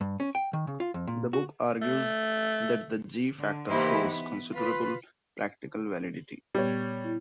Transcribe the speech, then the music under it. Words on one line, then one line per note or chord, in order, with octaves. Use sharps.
The book argues that the "g" factor shows considerable practical validity.
G2
C#4
G5
D#3
C#3
F4
F2
A#2
F#4
A3
D3
E3 A#3 D#4 E4 G4 C5
B3
F4 B4
A#2 G3 B3 C#5 G5
E4